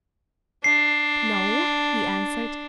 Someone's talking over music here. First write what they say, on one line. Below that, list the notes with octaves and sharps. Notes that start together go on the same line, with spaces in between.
"No," he answered.
D4 C7